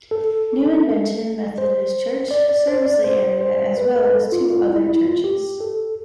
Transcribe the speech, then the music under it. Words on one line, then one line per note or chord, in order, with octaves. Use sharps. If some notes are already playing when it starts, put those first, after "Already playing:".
New Invention Methodist Church serves the area as well as two other churches.
A4
C5
D5
D5
C5
D5
C5
C5
B4
B4
A4
F4
F4
E4
E4
F4
G4
A4